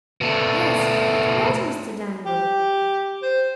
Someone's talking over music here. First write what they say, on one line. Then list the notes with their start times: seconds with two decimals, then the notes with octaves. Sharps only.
"Yes--it was Mr. Dangle."
0.21 B2 A3
2.25 G4
3.22 C5